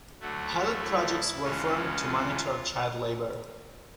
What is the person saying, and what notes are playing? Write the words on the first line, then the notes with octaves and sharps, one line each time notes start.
Pilot projects were formed to monitor child labor.
D2 D3 F#3 A3 F#4
E4
E4
D2 C#3 E3 G#3 C#4 F4
F4